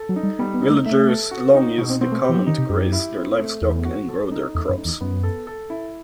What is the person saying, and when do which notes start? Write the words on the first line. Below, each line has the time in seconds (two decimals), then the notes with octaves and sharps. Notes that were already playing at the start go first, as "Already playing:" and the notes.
Villagers long used the common to graze their livestock and grow their crops.
Already playing: A4
0.09 F#3
0.16 D#4
0.23 G3
0.39 G3 B3
0.54 B3
0.62 D#4
0.71 A3
0.86 A3 E5
1.08 A4
1.31 F#4
1.55 D#4
1.78 B2 B3
1.90 C4
2.01 B3 C4
2.12 A3
2.24 G4
2.29 E3
2.36 F#3
2.47 D#3 D#4
2.58 C3
2.70 F#2 G4
2.93 E4
3.17 C4
3.39 A3
3.62 E2 A3
3.85 F#4
4.09 A4
4.32 D#4
4.54 E2 A3
4.69 F#2
4.78 D#4
4.85 E2
5.01 F#2 B3
5.23 A4
5.47 A4
5.70 E4